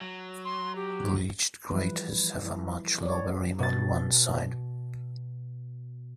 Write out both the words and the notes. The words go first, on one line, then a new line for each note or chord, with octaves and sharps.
Breached craters have a much lower rim on one side.
F#3
C6
G4
E3 F3 G3 E4 B4
E4
C#5 D5
B2 A6